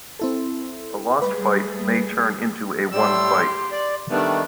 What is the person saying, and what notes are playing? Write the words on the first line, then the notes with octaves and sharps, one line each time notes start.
A lost fight may turn into a won fight.
C4 E4 A4
G3 A3 G#4 B4
A2 G3 G4 C6 E6
D5
D#3 G3 A3 B3 D4